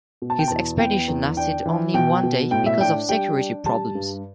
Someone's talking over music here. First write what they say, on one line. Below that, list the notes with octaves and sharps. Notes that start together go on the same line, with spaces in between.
His expedition lasted only one day because of security problems.
B2
A5
G5
E2 A5
B3 G5
E2
D4 G5
E3
B2 G5
B2
A2 G5
E5
D4 G5
G3 G5
D4
G3 A5
G2